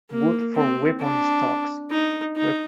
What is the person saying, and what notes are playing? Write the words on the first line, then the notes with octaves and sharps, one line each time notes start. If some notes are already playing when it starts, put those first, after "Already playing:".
Wood for weapon stocks.
A#3
C4
D4
D#4
D#4